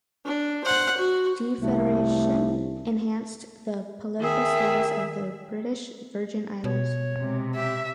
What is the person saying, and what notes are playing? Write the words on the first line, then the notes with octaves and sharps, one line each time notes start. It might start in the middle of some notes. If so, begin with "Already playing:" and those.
Defederation enhanced the political status of the British Virgin Islands.
D4
C5 F#5
F#4
C2 A3
D#3 G#4 E5
B2 C#5
C3 G#3
G4 E5